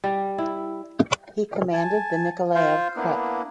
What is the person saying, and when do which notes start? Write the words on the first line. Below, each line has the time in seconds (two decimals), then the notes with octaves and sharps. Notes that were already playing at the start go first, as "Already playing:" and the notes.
He commanded the Nikolaev crepe.
0.04 G3
0.38 E4
1.73 G#5 A5
2.55 F4 C5 F5
2.96 A#3 B3 D4 E4